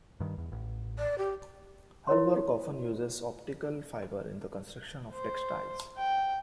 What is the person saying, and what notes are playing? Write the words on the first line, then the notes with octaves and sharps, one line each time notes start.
Her work often uses Optical Fiber in the construction of textiles.
G2 D#3
E2
A1
D5
G4
E4 A#4 C#5 C6
C5
G5